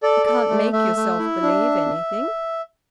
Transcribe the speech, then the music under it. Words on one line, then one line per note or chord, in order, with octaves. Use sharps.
You can't make yourself believe anything.
A4 D5
A4
A3
A3 E5
A3
E4
D4